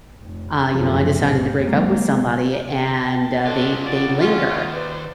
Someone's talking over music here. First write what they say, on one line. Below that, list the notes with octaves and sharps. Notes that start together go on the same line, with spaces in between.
uh, you know, I decided to break up with somebody and, uh, they they linger,
F1
F#1 B1 D3 F3
B1 F2 A2 C3
F#1 F#3 G#3 A#3 C4
G5 A5
C#4 D4 F4 A4
D5 F#5
D#2 C#4 D#4 F4
B4 C5 D5